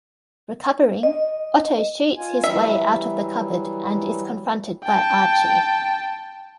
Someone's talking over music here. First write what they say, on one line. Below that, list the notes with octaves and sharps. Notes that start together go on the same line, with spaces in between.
Recovering, Otto shoots his way out of the cupboard and is confronted by Archie.
D#5
F4 G#5
E3 F#3 G3 E5
G5 A5